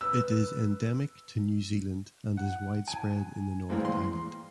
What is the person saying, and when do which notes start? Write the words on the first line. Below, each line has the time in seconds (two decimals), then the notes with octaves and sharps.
It is endemic to New Zealand and is widespread in the North Island.
0.01 B4 E6
2.37 F#5
2.88 G#5
3.69 G2 E3 G#3 A#3 C4
3.85 C6